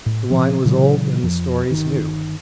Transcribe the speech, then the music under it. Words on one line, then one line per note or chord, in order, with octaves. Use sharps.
The wine was old and the stories new.
A2
A#2 C#3 F3 C4
A#2 C#3 E3 F#3
F2 F3
G1 D#3